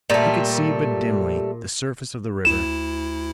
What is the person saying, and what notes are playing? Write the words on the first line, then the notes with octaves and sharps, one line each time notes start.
He could see but dimly the surface of the river.
A#2 G3 A3
D2 E4 E7